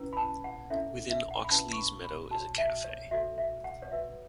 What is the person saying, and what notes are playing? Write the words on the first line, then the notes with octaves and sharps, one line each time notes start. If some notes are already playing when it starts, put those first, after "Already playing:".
Within Oxleas Meadow is a cafe.
Already playing: C#4 E4 B4
B5
A5
F#5
C#4 E4 A4 C#5 E5
E5
F#5
B5
C#4 E4 B4 A5
C#6
B5
B5
F#4 C#5 A5
E5
C#5
F#4 A4 C#5 E5
E5
F#5
C#5
F#4 B4 E5